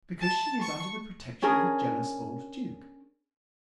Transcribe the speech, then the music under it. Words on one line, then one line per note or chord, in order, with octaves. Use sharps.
"Because she is under the protection of a jealous old duke."
A5
C#6
C#4 D4 G#4 A#4